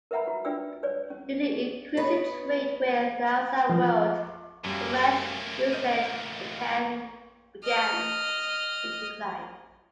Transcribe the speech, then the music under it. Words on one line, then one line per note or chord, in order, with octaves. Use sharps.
Due to increasing trade with the outside world, Romansh usage began to decline.
A#4 B4 E5 F#5 A#5 B5
F#4
D4 F4 B4 D5 G5 E6
B4 C#5 D5
C#4
B3 G#4 B4 C#5
F3
F#2 A2 G3 A#3
D#5 G6 D#7
D#5 F6